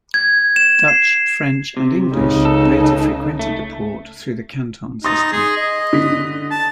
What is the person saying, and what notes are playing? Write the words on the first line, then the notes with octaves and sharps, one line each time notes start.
Dutch, French, and English later frequented the port through the Canton System.
G#6
E7
C7
C3
C#2 C#3 D#4
A4
A3
D#4 C6 D#6 A6
G#4
D#5
D3 B6
A5